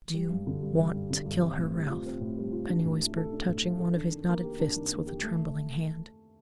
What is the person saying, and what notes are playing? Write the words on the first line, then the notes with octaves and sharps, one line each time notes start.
"Did you--want to kill her, Ralph?" Penny whispered, touching one of his knotted fists with a trembling hand.
G3
G2
D3
G2
G3
G2
D3
G2
C4
A2
G3
F4
C4
A2
G3
F4
D4
A2
A3
A4
D4
A2
A3
A4
D4
D#3
A#3
G4
D4
D#3
A#3
G4
A3